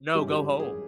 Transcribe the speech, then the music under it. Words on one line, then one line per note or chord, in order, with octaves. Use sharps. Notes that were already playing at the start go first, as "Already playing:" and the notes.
"No, go home.
G#1 G2 E3 G#3 C#4 G4
G4
G#4